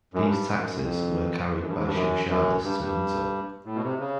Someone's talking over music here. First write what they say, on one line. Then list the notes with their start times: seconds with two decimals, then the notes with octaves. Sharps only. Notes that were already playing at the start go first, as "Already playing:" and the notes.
These taxes were carried by Shimshalis to Hunza.
0.14 F#2
0.24 G2
0.57 F#2
0.69 F#2
0.81 F2
1.60 F#2
1.68 G2
1.78 G#2
1.86 G2
1.94 F#2
2.29 F#2
2.63 G2
2.80 G2
3.65 A2
3.75 B2
3.83 C3
4.00 C#3